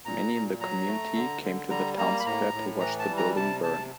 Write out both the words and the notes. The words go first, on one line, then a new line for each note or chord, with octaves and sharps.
Many in the community came to the town square to watch the building burn.
A#2 A#5
A#2
F#3 A#5
A3
D3
D3
G3 A#5
A#3 A#5
B5
A2 A#5
A2
E3 A#5
A5
G3
A#5
C3 A5
C3 A5